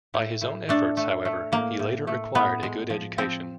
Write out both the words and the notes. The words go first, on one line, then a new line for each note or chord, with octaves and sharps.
By his own efforts, however, he later acquired a good education.
A2
A2
A3 D4
A3
A3
A2 A#3
A2
A3
A2 B3
G#3
F3
F3 C4